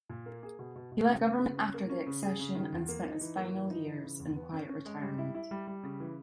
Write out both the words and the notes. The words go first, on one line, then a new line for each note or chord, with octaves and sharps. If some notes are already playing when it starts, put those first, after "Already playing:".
He left government after the accession and spent his final years in quiet retirement.
A#2
A#3
G#4
B2
B2
B2
C#3
B3
C#3
C#4
A#3
C#4
C#3
G#4
C#3
D#3
E2
A#3
D#4
E3
A#3
E3
D#4
E3
C#3
E2
B3
C#4
C#4
G#3
G3
E4
E4
G3
G3
C#3
E3